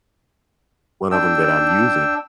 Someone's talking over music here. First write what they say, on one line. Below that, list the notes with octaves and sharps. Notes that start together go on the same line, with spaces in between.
one of 'em that I'm using,
D4 G5 E6